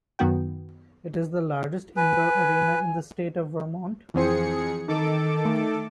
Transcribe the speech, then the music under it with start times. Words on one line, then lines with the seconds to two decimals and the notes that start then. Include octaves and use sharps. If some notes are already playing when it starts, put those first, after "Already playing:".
It is the largest indoor arena in the state of Vermont.
0.19 F#2 D#3 B3 F#4 G5
1.97 B4 G#5
4.14 F2 E3 C4 G#4 C5 C#7
4.88 D#3 D#4 A4 D6
5.45 A3